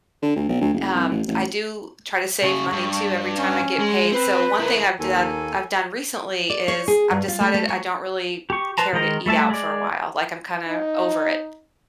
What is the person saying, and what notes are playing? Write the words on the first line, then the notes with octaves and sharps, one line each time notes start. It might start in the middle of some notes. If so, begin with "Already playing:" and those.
um, I do try to save money too every time I get paid, so one thing I've done I've done recently is I've decided I don't really care to eat out for a while, like, I'm kinda over it,
D3
D2
B1
D2
F#1
C2
A1
A1
C#3 F#4 C#6
G2
C#4
G#3
C4 B4
E4 A#4
D#2 A#3 A4 G#5
D5
C#5
G#4
G2
F4
A3
A3
C#5
G4 C#6
B4 C5 A5 A#5
D#3 G#3 A#4 D#5 A#5
G3 A3 E5 A5
G#3 D5
D#4